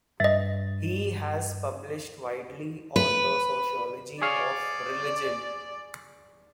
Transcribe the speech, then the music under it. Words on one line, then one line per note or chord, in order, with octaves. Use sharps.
He has published widely on the sociology of religion.
G2 D#5 E5 A6
B4
G#4 C#5 D5 F5